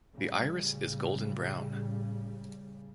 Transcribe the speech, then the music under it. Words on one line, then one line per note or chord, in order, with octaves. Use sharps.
The iris is golden brown.
A2 C#3 G3